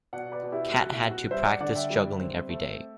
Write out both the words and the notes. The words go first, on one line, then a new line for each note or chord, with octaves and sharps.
Cat had to practise juggling every day.
B2 D5 F#5
B4 D5
B2
E4 G4
A3 F#4
E4
B2
F#4
G3 C5 E5
D5 F#5
D3 D5 F#5
E5 G5
G3
C4
A3